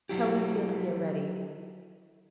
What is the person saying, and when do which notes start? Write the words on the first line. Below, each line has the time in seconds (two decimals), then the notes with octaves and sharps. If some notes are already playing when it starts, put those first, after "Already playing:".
Tell Lucile to get ready.
0.09 F#3 E4 G4